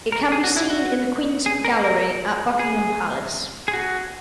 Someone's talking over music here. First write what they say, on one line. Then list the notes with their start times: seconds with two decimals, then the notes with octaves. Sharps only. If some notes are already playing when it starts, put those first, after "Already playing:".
It can be seen in the Queen's Gallery at Buckingham Palace.
0.12 A#4
0.32 G#4
0.44 F#4
0.57 E4
0.70 F#4
1.46 G#4
1.65 A#4
1.84 A#4
2.59 G#4
3.68 G#4
3.73 F#4